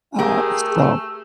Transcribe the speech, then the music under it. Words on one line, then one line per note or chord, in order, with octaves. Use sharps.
uh, so
A3 G4 G#4 A#4